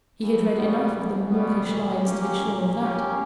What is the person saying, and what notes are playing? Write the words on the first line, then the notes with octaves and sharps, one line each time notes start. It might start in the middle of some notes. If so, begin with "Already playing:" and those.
He had read enough of the mawkish lines to be sure of that.
E2
B2 G3 B3
E2
B2 G3 B3
A#2
A#3 C#4 G4
A#2
A#3 C#4 G4